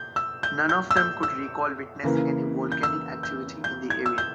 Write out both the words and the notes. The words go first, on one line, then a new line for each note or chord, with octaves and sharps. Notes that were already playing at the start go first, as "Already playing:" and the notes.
None of them could recall witnessing any volcanic activity in the area.
Already playing: G6
E6
G6
G6
E6
G6
E6
C#3 E3 A#3 E4
G6
E6
G6
G6
G#6
E6
G6